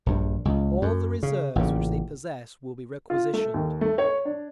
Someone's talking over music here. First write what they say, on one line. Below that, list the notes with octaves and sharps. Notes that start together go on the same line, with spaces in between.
All the reserves which they possess will be requisitioned.
A#1 G2
C#2
F#2
C#3
A1 A#2 C#3
F4
A3
D#2
A3
C#5
D4